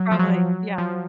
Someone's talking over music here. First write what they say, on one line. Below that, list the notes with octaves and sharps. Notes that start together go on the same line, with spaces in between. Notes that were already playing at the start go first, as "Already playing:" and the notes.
Probably, yeah.
Already playing: F#3
F3
F#3
F3